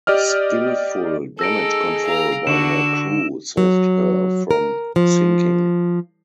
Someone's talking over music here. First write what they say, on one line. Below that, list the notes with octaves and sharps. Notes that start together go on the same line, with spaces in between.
Skillful damage control by her crew saved her from sinking.
G4 D5 D#5 F6
D#4 G#4 A4 E6 A#6 D7
F5 A#5
D3 D4 F#4 E7
F#3
A#4
F3